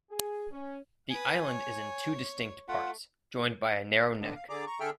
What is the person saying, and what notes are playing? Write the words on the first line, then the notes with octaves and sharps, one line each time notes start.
The island is in two distinct parts, joined by a narrow neck.
G#4
C#4
B4 G#5 D#6
C#5
A3 F4 F#5
D3 B3 D4
F5
D3 G#4 D5 A#5 D6
A#5 C#6
D3 G#4 A4 E5 G5 F6